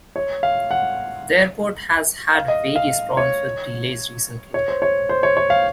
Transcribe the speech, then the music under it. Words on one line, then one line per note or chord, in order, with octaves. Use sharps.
The airport has had various problems with delays recently.
C#5
F5
F#5
F5
D#5
F5
C#5
C#5
C5
C#5
C5
C#5
C#5
F5